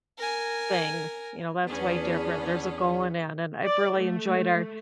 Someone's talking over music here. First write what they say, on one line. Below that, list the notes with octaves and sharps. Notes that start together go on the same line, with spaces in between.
thing, you know, that's way different. There's a goal in that, and I've really enjoyed our
A#4 G#5
E2 B3 C#4 D4 G#4
D5
A3